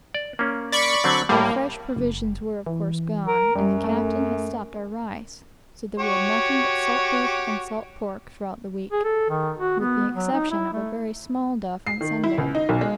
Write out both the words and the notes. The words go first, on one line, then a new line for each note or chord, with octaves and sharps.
Our fresh provisions were, of course, gone, and the captain had stopped our rice, so that we had nothing but salt beef and salt pork throughout the week, with the exception of a very small duff on Sunday.
D5
A#3 C#4
D5 B5 C#6
D3 F#3 C4
A2 G3 A#3
F#1
E3
A#4
F#2 G3
A3
F#4 G4 C#5
G#4
A4
D#3
F#4
B3
F#3
D#4
E4
A3
C7
D#3
E4
C#2
D#4
B1
G#3